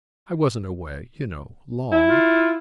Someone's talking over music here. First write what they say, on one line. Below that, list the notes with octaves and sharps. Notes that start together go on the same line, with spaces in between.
"I wasn't away, you know, long."
E4
F4